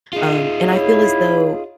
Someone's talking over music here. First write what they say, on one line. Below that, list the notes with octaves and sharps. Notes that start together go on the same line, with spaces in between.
um, and I feel as though
D#4 F4 G#4
E4 C#5